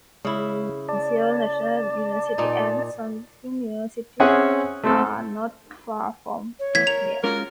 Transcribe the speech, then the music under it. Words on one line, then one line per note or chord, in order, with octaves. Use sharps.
Seoul National University and Soongsil University are not far from here.
C#3 G#3 E4
D5 A5
A#2 D#4
C4 C#4 G#4 E5 F#5 G#5
A3 C4 A4
C#5
E3 A3 B3 G#6 B6
A#4 F7
G#3 C#4 F4 F#4 A#4